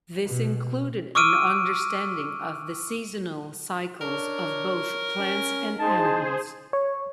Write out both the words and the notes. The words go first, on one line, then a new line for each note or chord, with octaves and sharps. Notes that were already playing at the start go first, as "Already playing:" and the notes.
This included an understanding of the seasonal cycles of both plants and animals.
B2
C#6 D6 E6 F6 D7 D#7
D4 A#4 C#5
C#4
D#4 G#4 C5 A5
C#5